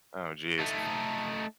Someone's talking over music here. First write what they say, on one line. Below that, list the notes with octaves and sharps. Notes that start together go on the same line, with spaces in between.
Oh, jeez.
A3 D#4